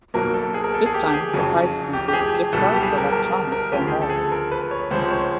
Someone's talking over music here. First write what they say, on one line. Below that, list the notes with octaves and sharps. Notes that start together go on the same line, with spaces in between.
This time, the prizes included gift cards, electronics, and more.
B1 B2 F#3 A#3 A#4
A4
G#4
A#4
A4
G#4
G4
G4
G#4
F#1 F2 C#3 F#3
G4
G4
G#4
B1 B2 G3 A4
G4
G#4
A#4
A#4
A#4
A#4
D2 C#3 F3 G4
G#4
A4
G#4
A4
A#4
B4
C#5
C#2 C3 F3 G#3 C5
C#5